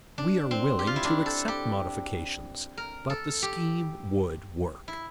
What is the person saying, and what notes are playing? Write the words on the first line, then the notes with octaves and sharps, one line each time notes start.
We are willing to accept modifications, but the scheme would work.
D4
C4
G4
F4
E4
D4
A4
G4
A#4
A4
G4
E4